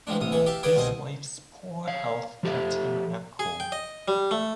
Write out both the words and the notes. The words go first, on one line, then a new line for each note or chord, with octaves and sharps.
His wife's poor health kept him at home.
E3 F3 G3 G#3 D4
A1 C3 D#6
B1 E3 G#4 A4
G4 E5 F5 A5
G#4 B4 C#5 D5 F5 G5
C2 B2 C5 D#5 G#5
C#5 F5
F3 G4 A4 E5
G#4
G5
D#5
G3
A3